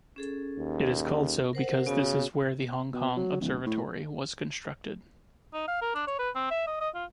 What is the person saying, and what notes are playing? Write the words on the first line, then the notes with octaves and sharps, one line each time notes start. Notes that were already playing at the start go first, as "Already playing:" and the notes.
It is called so because this is where the Hong Kong Observatory was constructed.
C#4 G#4 A4
D#2
A#4 C5 F#5
C#3 B3 F#4 C#5
B2
F#3
D1
A2
D#4
F5
A#4
D4
C#5
B4
C4
E5
D#5
D#5
F4